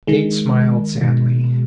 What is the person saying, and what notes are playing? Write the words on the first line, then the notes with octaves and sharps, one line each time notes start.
Kate smiled sadly.
D#3 G#3
B2 D#3